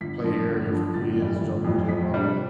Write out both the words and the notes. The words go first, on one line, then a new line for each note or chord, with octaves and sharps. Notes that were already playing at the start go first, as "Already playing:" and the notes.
play area for kids, jungle gym, all that.
G1 B6
G2 F3
G1
G2 F3
G1 A6
F2 E3 G3
G1
F2 E3 G3
F2 B6
C3 G3 D4